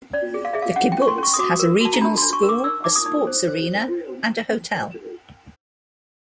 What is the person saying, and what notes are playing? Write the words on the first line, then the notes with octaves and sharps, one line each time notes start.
The kibbutz has a regional school, a sports arena and a hotel.
C#4 D5
G#4
F5
G#4 E5
F5
C#4 F#5
G5
C#4 C#6
C6
C#4 C#6
D#6
F#4 D6
A#4
F#4 A5
A#5
D4 B5
D4 C6
C#6
A#4
D6
D#4 E6
D#4 D6
D#6
D#4
C5
C5